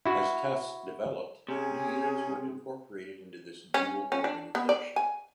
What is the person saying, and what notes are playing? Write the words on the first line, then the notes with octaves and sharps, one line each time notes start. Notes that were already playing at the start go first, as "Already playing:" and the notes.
As Tufts developed, new units were incorporated into this dual organization.
E4 F#4
C3 C#4 G#4
C#4
C#4
D4
B3
D5
G#5